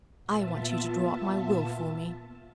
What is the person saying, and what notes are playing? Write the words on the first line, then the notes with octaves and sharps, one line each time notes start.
"I want you to draw up my will for me."
A#2 B3 F4 E5 A5